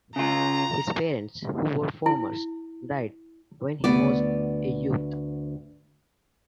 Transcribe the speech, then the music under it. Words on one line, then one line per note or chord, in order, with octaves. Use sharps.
His parents, who were farmers, died when he was a youth.
C#3 F4 A#5
E4
D2 B3 D5